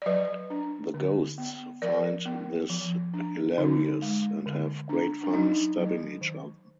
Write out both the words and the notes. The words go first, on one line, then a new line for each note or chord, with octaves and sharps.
The Ghosts find this hilarious, and have great fun stabbing each other.
D5
F#3 B4 D#5
D4
D3
B3
F3 A#4 D5
B3
F3
D4
D3 D#4
G#3
D3
D4
D4
F#3 D#4
F#3
D#3